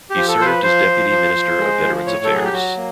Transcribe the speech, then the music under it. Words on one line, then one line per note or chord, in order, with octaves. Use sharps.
He served as Deputy Minister of Veterans' Affairs.
G4
F3
A4
F3 C5
B4
F3 C5
F3
F3
F3
G#3
F3
A2 C#5
A4
F#3 G#4
G4
F#3 F#4
A#3